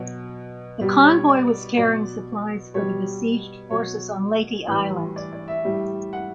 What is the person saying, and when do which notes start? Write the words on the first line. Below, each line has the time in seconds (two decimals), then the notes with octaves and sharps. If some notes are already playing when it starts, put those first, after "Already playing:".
The convoy was carrying supplies for the besieged forces on Leyte Island.
Already playing: B2 F#3
0.81 B2 G3
1.05 C#5
1.29 D5
1.77 B2 F#3 D5
2.74 B2 G3 C#5
3.70 B2 F#3 C#5
4.67 A2 E3 G3 B4
5.16 D5
5.33 D5
5.48 E5
5.65 A2 G3
6.13 F#5